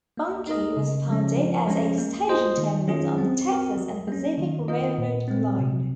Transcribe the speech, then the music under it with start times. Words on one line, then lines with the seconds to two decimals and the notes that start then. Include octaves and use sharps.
Bunkie was founded as a station terminus on the Texas and Pacific Railroad line.
0.17 A#3
0.47 D#4 A#4 D#5
0.77 C#3
1.08 F3 G#3 C#4
1.37 F3
1.68 G#3 C#4
1.98 A#3
2.28 F4 C5 D#5
2.58 D#3
2.88 F#3 C#4 F4 G#4
3.18 C4
3.48 F#4 A#4
3.78 F#3
4.08 A#3 C#4
4.38 D#3
4.68 A#3 F4 A#4 D#5
4.98 A#2
5.28 G#3 C4
5.59 C3